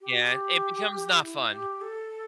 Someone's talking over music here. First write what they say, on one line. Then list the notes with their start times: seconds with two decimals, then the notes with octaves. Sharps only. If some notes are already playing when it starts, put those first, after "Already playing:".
Yeah. It becomes not fun.
0.01 G4
0.12 F#4
0.24 G4
1.21 E4
1.51 G4
1.81 A4